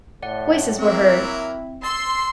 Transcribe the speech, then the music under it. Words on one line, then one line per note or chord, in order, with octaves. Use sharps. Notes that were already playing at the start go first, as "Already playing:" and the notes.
Voices were heard.
A2 D5 F#5
F#3 A#3 C4 E4 E5
C6 E6 A6